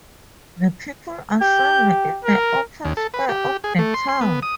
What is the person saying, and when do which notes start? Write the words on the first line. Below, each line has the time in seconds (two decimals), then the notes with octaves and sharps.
The people assemble in the open square of the town.
1.41 G4 G6
2.24 A#4
2.85 D#2
2.97 A4
3.14 B4
3.29 G4
3.64 G#4
3.79 A3
3.94 C6
4.09 C6
4.21 B3
4.43 D#6